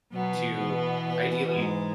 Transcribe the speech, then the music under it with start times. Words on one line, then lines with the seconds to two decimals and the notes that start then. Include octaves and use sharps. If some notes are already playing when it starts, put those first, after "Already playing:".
to ideally
0.11 B2 F#3 B3
0.35 E3
0.60 E3
1.53 G#2 G#3